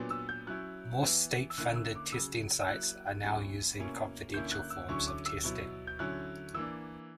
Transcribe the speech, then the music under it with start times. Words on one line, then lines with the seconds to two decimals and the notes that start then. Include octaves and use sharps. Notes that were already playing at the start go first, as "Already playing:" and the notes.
More state funded testing sites are now using confidential forms of testing.
Already playing: A#2 F#3 B3 D4
0.10 E6
0.29 G6
0.47 F#3 C#4 E4 F#6
1.02 E3 B3 E4
1.50 E6
1.58 D3 A#3 C#4 E4 F#6
1.76 E6
1.95 D6
2.12 C#3 F#3 C#4 E6
2.61 E6
2.68 F#3 A#3 E4 F#6
3.23 A#2 G3 C#4 E4
3.79 B2 A#3 C#4 E4
4.34 D3 A#3 C#4 E4 G6
4.51 F#6
4.70 E6
4.88 D3 F#3 C#4 E4 C#6
5.07 D6
5.26 E6
5.43 B2 F#3 B3 E4
5.87 G6
5.99 D3 F#3 C#4 E4 F#6
6.54 E3 A#3 D4 E6